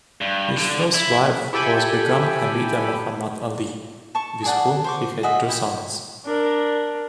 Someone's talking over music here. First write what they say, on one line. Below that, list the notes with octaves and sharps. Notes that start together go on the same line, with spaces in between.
His first wife was Begum Hamida Mohammad Ali, with whom he had two sons.
G2
D3
E4
E4 G4 A4 G5 G#5 B5
A5 C#6
G#4 D5 F#5 A5
C5 C#6 D6
F#4 G#4 D#5 E5
E4 G5
D4 A#4